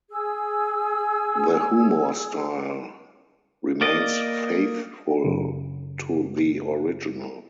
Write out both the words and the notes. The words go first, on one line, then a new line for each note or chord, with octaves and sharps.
The humour style remains faithful to the original.
G#4 E6
A#3 D5 D#5
F#2 C#3